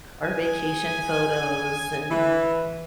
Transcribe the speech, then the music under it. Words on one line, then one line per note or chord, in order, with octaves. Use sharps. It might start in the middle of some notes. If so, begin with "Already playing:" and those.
our vacation photos and
G#4 G#5
E3